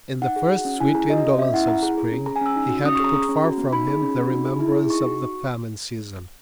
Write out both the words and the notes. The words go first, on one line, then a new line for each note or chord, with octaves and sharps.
In the first sweet indolence of spring he had put far from him the remembrance of the famine season.
D#4 F#5
G#4
F#4
C#4
E4 G#5
G#4 A#5
F#4 D#5
C#4
C#4 E5
E4 F#5
E4 A#5
G#4 A#5
G#4
C#4
G#4 A#5
G#5
C#4 E6
D#4
F#4
C#4 D#6
C#6
G#4 A#5
G#4 A#5
C#4
F#4
B3
D#4 B5
G#4
C#4
F#4
D#4
G#4
E4
G#4
D#4 C#6
F#4